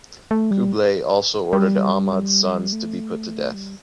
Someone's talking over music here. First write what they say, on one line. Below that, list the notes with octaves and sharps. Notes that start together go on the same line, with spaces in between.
Kublai also ordered Ahmad's sons to be put to death.
A3
G3
G3
A3
G3